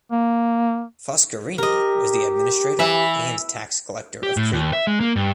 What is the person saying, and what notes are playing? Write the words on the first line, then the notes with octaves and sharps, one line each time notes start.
Foscarini was the administrator and Tax collector of Crete.
A#3
G4 A#4 D#5
E3 E5 B5
G4
A2
D#2
E5
G#3
A#3
G2